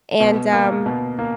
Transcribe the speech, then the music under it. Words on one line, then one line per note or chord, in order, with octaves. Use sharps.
And, um,
B2
A#3
B2
A#3